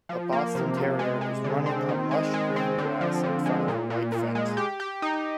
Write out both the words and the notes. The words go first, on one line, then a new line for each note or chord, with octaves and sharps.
A Boston Terrier is running on lush green grass in front of a white fence.
F3
A#3
C3
C3
G#3
G#3
D3
C4
D#3
G#3
G#3
C4
D3
F3
D3
G#3
A#2
A#2
A#2
G#3
G4
G4
D#4